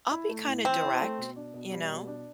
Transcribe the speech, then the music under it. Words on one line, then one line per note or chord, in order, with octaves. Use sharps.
I'll be kinda direct. You know?
E4
A3
A2
E3 C4
E4
A3
B2
D4
B2
G3
B2
D4